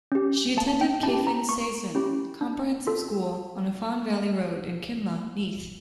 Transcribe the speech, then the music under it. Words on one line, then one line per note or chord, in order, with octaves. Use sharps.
She attended Cefn Saeson Comprehensive School on Afan Valley Road in Cimla, Neath.
C#4 G4
A#3 A5
G5
C#4 E4 G4 A5
A#5
A#3 C#6
C#4 E4 G4
D4
F4 A4